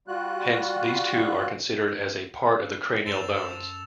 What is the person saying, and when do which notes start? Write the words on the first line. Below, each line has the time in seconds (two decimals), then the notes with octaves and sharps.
Hence, these two are considered as a part of the cranial bones.
0.08 G3 F4 F#4 F#6
3.06 F#2 A4 A#4 C5 A6 E7 F7